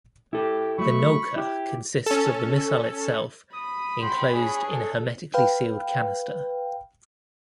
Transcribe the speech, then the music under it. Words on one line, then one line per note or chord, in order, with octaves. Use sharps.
The Nulka consists of the missile itself enclosed in a hermetically sealed canister.
E4 G4 A4
F#3 A3 B5 C#6
E4 G4
C#4 A4
B5 D#6
F#4 G5 C6
D4 G#4 C#5
A4
B4 F5 G5